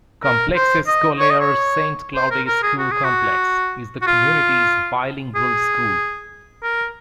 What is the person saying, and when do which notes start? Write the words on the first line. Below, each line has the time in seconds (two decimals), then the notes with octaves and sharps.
Complexe Scolaire Saint Claude School Complex is the community's bilingual school.
0.24 A#4
0.56 C5
0.87 D#5
1.19 C#5
1.31 D#5
1.41 C#5
2.15 C5
2.31 A#4
2.47 A#4
2.63 G#4
2.79 F#4
2.91 G#4
3.04 F#4
4.02 F#4
4.07 F4
5.36 G#4
6.63 A#4